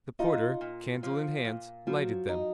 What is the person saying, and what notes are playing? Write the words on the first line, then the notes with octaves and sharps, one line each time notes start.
The porter, candle in hand, lighted them.
D#4 F4
A#2
F3
A#2
F3 F#3
D#4